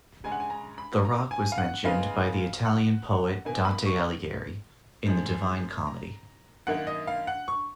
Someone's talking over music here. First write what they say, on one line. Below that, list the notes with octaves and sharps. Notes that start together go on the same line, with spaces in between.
The rock was mentioned by the Italian poet Dante Alighieri in the "Divine Comedy".
C#3 G#3 C#4 G#5
F#5
G#5
A#5
B5
A#5
G#5
F5
F#5
C#3 G#3 B3 D#4 F5
F#5
B2 A#3 D#4 G#5
B5
C#6
G#2 F3 G#3
A#5
F#2 D#3 A#3 D#4 F#5
D#5
F5
F#5
C#6